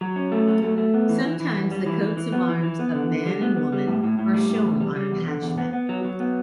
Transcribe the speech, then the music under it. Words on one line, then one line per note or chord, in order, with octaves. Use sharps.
Sometimes the coats of arms of man and woman are shown on a hatchment.
F#3
C#4
A3
F#3
A3
A3
B3
E3
E3
E3
F#2
G3
E3
E3
E3
B3
E3
E3
B3
D3
D3
G3
B3
B3
G3
A2
A2
A2
G3
A2
E2
G3
G3
E2
D3
E2
B3
B3
F#3
F#3
B3